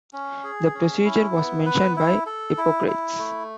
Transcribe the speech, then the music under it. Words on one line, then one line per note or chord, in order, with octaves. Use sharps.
The procedure was mentioned by Hippocrates.
C#4
G#4
C#4
E4
B3
B4
E4
A4
E4
E4
A3